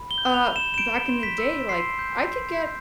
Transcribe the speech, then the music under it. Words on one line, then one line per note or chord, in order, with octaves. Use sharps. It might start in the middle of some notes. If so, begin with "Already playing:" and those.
uh, m back in the day, like, I could get
Already playing: B5
G7
G6
F7
B5
E7
E7
G6 D7
C6
B6
E6
C6 C7
G6
C6
G6